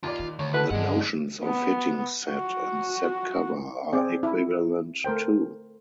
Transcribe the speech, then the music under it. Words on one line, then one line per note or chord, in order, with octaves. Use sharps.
The notions of hitting set and set cover are equivalent too.
D#2 F4 D5
D#3
D2 C#5
E4 F#4 A4 B4
D2 G2 G#3 D5 F#5
B3
F#4
C4 G#4 D5
E4
A3 A#4 C5 G5